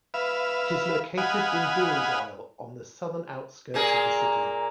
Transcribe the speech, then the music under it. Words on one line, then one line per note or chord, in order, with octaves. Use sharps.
It is located in Dooradoyle, on the southern outskirts of the city.
B4 E5 F5
D#5 F5 F#5 G#5 B5
A#2 A#3 G#4